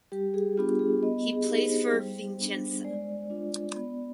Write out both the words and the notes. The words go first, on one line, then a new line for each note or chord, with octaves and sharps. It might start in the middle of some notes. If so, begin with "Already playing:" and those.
He plays for Vicenza.
G3 G4
G#4
B3 D4 F4 G4
G#4
B3 D#5
G#4
D#4 G4
G#4
C5
G3
B3 D4
G#3 D5
D4 F4
B3